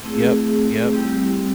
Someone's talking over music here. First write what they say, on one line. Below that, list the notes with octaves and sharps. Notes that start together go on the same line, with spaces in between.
Yep, yep.
A3 C4 E4 G#4
G3 C4 E4 G4